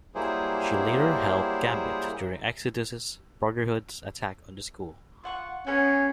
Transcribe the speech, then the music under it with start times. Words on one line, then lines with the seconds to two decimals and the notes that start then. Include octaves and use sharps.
She later helped Gambit during Exodus's Brotherhood's attack on the school.
0.15 F#3 G3 A#3 E4 G#4 C5
5.24 F4 F#5 C#6
5.67 B3 C#4 G#4 G#5